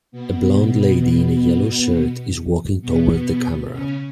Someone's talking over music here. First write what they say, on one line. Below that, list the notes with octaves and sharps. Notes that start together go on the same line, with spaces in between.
A blond lady in a yellow shirt is walking toward the camera.
B2 B3
B2 B3
C#3 C#4